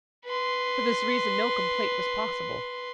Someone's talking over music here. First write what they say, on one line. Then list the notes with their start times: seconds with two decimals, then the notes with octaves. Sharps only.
For this reason no complaint was possible.
0.25 B4 C6